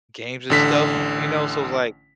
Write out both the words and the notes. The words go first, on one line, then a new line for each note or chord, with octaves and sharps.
games and stuff, you know, so, it was like,
A1 D3 B6